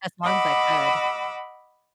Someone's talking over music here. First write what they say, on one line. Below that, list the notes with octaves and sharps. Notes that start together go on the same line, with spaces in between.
as long as I could.
D#5 F#5 B5 D6 E6